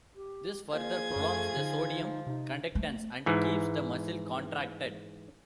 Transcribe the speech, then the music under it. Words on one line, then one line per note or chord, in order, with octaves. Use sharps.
This further prolongs the sodium conductance and keeps the muscle contracted.
G4
F3 A#3 G#4 G#6
F#2 A3
D3 D#4
C3 D#4
A3
G#2 E3